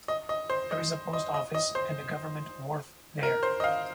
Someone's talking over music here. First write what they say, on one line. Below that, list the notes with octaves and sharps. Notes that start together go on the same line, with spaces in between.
There is a post office and a government wharf there.
D#5
D#5
C5
D#5
D#5
D#5
D#5
C5
A#4
C5
D#5
F5